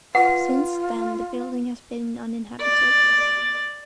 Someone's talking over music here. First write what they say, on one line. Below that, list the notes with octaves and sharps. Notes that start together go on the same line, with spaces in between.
Since then the building has been uninhabited.
F4 B4 F#5
D5